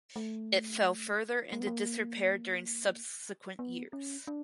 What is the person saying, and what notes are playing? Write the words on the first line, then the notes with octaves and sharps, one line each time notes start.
It fell further into disrepair during subsequent years.
A3
A#3
B3
A#3
B3
C#4
D4